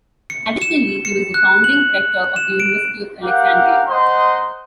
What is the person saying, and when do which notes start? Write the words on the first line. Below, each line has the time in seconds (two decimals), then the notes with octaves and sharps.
Additionally, he was the founding Rector of the University of Alexandria.
0.30 C#7
0.62 E7
1.05 C#7
1.34 F#6
1.64 F#7
2.36 E7
2.60 D7
3.23 G4 A#4 F5 F#5
3.89 D#4 C5 D#5 F#5 C6